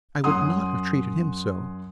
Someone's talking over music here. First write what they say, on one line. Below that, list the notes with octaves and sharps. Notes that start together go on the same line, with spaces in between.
I would not have treated him so.
F#2 C#4 F#5 C6 D#6